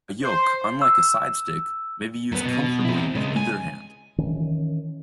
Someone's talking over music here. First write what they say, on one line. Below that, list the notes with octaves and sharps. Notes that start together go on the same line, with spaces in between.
A yoke, unlike a side-stick, may be used comfortably with either hand.
C5
E6
F#2 B3
B2
C4 E4
C#3 G#3
G#5
D#3 E3 C#4